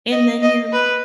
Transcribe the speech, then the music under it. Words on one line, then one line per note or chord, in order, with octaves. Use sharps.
And then you're
D#5
D#5
B4